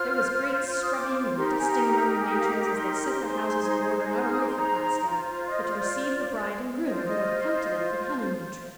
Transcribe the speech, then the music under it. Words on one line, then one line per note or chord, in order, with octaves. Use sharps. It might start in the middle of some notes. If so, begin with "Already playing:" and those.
There was great scrubbing and dusting among the matrons as they set their houses in order not only for Class Day, but to receive the bride and groom, who were to come to them for the honeymoon trip.
Already playing: F4 C5 F6
F6
D#6
D6
D#4 G4 A#4 C6
A#5
G#5
A#5
G#5
G5
F5
D#5
D6
C6
D#4 G#4 C5
F6
D#6
D6
C6
A#5
F4 C5
D#5
D5
F4 C5 D#5
D5
D#5